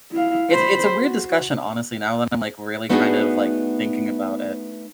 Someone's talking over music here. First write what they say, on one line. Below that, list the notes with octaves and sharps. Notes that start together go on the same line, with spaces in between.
it's it's a weird discussion, honestly, now that I'm, like, really kind of, like, thinking about it.
E4 F5
C5 B5
F#4
A3 B3 D4 D#4 F#4 G#4